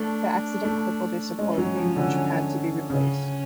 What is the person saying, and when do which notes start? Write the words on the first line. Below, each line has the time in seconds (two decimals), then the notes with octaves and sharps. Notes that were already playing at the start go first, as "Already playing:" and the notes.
The accident crippled a support beam, which had to be replaced.
Already playing: A3 D4
0.64 A3
1.39 G#3 C#4
1.58 F#3
1.77 F3
1.96 D3
2.90 C#3 C#4